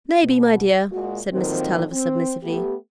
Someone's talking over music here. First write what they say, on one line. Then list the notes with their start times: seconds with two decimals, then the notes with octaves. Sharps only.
"Maybe, my dear," said Mrs. Tulliver, submissively.
0.23 B2
0.91 A#2 G#3 F#4
1.32 F2 A#2 D#3 F#3 C4
1.91 C4
2.43 A3 B3 G4